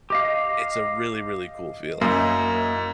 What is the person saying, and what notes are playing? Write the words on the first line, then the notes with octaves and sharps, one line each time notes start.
it's a really, really cool feeling
G4 D#5 F5
F#2 A#3 D#4 E4